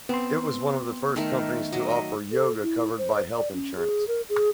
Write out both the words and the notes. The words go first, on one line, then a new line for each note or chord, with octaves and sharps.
It was one of the first companies to offer yoga covered by health insurance.
B3 C4 C6
D#3 A3 A#4
F#3 D#5
A4
E4
C5
D5
C#4
G#4
A#4
G#4